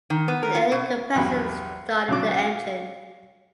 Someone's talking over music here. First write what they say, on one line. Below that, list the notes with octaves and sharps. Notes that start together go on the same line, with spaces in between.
An air compressor started the engine.
D#3
B3
A#4
F4
B2
A#1 E2 G2 F#3 G5 B5
C#3 F#3 C#4 D4 F#4 D6
F5